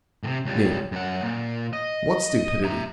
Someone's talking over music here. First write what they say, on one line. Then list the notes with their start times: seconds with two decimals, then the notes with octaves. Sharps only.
ME: What stupidity?
0.24 A2 C3
0.45 C#2 G3
0.92 F#2 F#5
1.23 A#2
1.73 D#5
2.64 E5 A#5